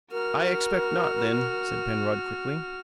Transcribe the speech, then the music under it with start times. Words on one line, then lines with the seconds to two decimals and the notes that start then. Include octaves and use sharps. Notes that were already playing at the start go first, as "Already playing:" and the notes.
"I expect not, then," said Penrod, quickly.
0.12 F#4 A#4 F6